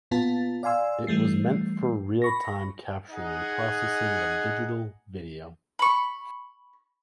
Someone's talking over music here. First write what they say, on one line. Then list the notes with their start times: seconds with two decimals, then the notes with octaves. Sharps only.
It was meant for real time capturing and processing of digital video.
0.11 A#2 B3 F4 A5 A6
0.63 D5 F5 G#5 C6 E6
1.07 E3 G3 A3 C7
2.22 B5 C#6 A#6
3.11 D#4 G#4 D#5 F#5
5.79 B5 C#6